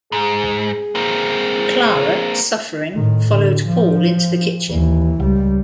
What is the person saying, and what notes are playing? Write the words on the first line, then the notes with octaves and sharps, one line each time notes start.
Clara, suffering, followed Paul into the kitchen.
G#2 G#4
A#3 C4
A2 D#3
D3
F3
D#2 E3
C#2 G3